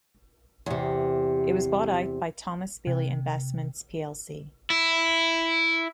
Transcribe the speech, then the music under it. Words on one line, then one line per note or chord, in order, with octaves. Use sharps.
It was bought out by Thomas Bailey Investments plc.
E2 C3
C3
E4